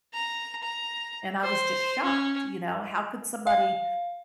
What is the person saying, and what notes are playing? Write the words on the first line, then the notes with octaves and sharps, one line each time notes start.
and I was just shocked, you know, how could somebody
A#5
A#5
C5
C#4
F5